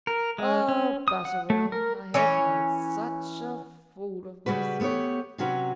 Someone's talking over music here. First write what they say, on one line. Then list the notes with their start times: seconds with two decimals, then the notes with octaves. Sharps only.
Oh, Butterwell, I have made such a fool of myself.
0.07 A#4
0.38 G#3
0.69 C#4
1.08 D#6
1.25 F#5
1.50 A3
1.72 A#4
2.14 E3 C#4 C#5
4.46 C#3 G3 F#4 B4
4.80 A3 B3 F4 G4 C#5
5.38 C3 F#3 C#4 F#4 B4